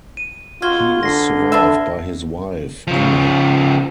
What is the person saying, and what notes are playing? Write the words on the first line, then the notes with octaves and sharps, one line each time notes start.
He is survived by his wife, Inge.
D#7
F4 F#4 F6 G#6 G7
D3 A#6 C7
D4 B4 E5
C#3 F3